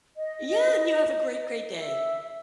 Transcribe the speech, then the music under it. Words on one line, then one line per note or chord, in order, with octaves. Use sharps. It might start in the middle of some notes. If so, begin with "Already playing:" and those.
Yeah, and you have a great great day.
D#5
E5